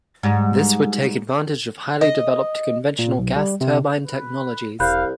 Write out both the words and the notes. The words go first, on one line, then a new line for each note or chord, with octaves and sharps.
This would take advantage of highly developed conventional gas turbine technologies.
G#2 G3
D#5
A#2
B1
G3
C3
B4
E1 C2 F5 B5 F#6 G6